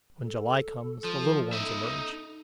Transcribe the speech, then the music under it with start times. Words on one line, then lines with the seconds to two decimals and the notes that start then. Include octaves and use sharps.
When July comes, the little ones emerge.
0.23 A4
1.04 F3
1.53 D#4 E5